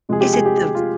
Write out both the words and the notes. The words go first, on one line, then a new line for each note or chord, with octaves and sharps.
is it the v
C3 F3 G#3 G#4
G4
G#4
G4
G4
F4